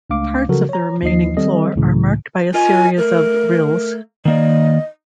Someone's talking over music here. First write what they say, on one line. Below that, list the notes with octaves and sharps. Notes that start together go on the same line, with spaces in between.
Parts of the remaining floor are marked by a series of rilles.
C#2 A3 D4 F5 D6
C#3 F3 F#3 F#4 A4 A#4
C#5 A#5
D#2 F3 D#4 D#5 C7
D#3 G3 C4 A4 D#5
C#2 A2 C#3 E3
F4 A#4 D#5 G#5
A3 A#4
D#3 A#3 D5 D#5